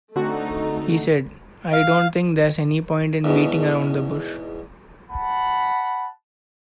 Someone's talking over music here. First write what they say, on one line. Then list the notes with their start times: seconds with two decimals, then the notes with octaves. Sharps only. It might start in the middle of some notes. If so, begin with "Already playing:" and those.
He said: I don't think there's any point in beating around the bush.
0.16 D3 A3 C4 D#4 F#4
1.73 F5
3.24 E2 G#2 B2
5.11 F#5 A5 B5